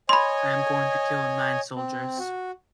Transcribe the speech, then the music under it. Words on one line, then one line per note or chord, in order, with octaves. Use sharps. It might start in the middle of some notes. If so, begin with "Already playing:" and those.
I am going to kill nine Soldiers.
C#5 D#5 G#5 B5 C6
C4
F#4